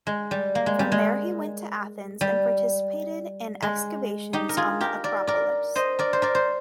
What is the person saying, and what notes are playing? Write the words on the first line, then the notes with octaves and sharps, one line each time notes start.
From there he went to Athens and participated in excavations on the Acropolis.
G#3
G3
A#3
G#3
G3
G#3
G3
G#3
D#4 G4
A#4
F4 G#4
G4 A#4
A#4 D5
A#4 D5
C5 D#5
A#4 D5
C5
A#4 D5
C5